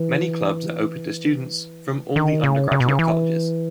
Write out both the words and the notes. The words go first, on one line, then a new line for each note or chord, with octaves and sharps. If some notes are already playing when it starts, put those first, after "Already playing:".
Many clubs are open to students from all the undergraduate colleges.
Already playing: E3
D#3
C#3
C#3
B2
C#3
E3